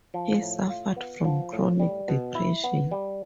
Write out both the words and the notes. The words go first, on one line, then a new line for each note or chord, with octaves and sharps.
He suffered from chronic depression.
F3
A2
F4
B3
F3
A2
G3
B2
E4
B3
G3